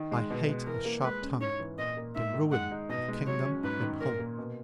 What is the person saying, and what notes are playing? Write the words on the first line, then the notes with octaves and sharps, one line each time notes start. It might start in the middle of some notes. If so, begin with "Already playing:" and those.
I hate a sharp tongue, the ruin of kingdom and home.
Already playing: D#3
G#3
B2
G#3
E3 A#4
A#3
G#3 B4
C#4
G#2 C#5
E3
A#2 D#5
A#3
G#2 E5
D#3
G#3 F#5
D#4
B2 D#5
G#3
F#3 C#5
C#4
G#2 B4
D#3
A#2 A#4
A#3
B2